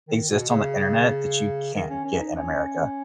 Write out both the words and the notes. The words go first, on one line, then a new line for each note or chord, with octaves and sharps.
exist on the internet that you can't get in America.
D#3
B2
C#3
D#3
C#4
C#4
D#4
C#4